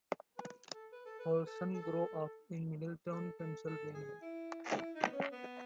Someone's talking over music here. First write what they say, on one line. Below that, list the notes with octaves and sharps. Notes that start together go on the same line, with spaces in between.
Olsen grew up in Middletown, Pennsylvania.
B4
A4
B4
A4
B4
B4
A4
A4
A4
A4
A4
G#4
E4
E4
D#4
B3
C#4
B3